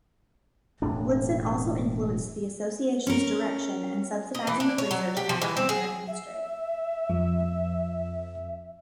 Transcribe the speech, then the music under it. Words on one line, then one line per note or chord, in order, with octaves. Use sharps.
Woodson also influenced the Association's direction and subsidizing of research in African-American history.
E1 A2 D4
C#4 A#4
D#5
E3
D4
C#5
F#3
G4
F3
E3
C4
G#4
E5
F2 F3